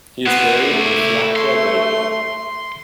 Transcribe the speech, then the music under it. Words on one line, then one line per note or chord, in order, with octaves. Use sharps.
He is buried in Fiacla graveyard.
B3 E4 C5
A3
C6